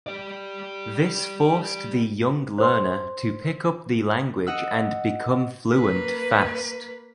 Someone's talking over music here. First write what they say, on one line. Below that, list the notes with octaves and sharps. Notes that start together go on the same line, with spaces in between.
This forced the young learner to pick up the language and become fluent fast.
G4 D5
C5 C6
D#5 F#5 E6
A#3 B4